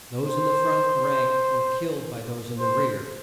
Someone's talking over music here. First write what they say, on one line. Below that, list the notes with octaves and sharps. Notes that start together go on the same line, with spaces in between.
Those in the front rank were killed by those in the rear.
C5
C5